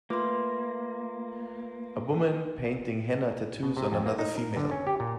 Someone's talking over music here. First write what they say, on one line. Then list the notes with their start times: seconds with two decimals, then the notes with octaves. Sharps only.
A woman painting henna tattoos on another female.
0.10 A3 A#3 F4 B4 C6 D6
3.63 B2
3.77 C3
3.92 F2
4.06 A#3
4.19 D#4
4.38 A#4
4.57 D3
4.71 C#4
4.87 G4
5.00 A#2